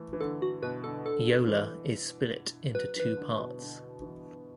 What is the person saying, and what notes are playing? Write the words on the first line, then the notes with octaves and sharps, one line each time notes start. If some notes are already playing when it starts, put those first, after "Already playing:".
Yola is split into two parts.
Already playing: E3 A3
E3
D3 A4
F#4
B2 B4
D3 A4
D3 A4
E3
F#3 B4
E3
B4
D3
B2
D3
E3